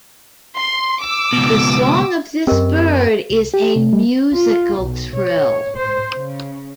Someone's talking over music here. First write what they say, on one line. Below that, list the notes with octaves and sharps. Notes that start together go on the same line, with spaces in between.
The song of this bird is a musical trill.
C6
D6 E6
C#2 B2
F#2 C4 G4 A#4 D#5
C2
G4
C3
G3
F4
B1
C#5
C5
C#3